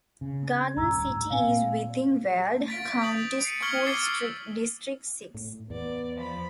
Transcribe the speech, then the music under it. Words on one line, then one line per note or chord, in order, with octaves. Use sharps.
Garden City is within Weld County School District Six.
C#3
G#6
D#1 D2 G2 A#5 E6
A2
A#2 C4 F5 G#5
A6 B6 D7
D#6 G6 F#7
C7 C#7 D#7
C#6 F6 G#6 F#7 G7
D6 E6 A6 C7 C#7 G7
A2
E2 B3 D5
F3 B5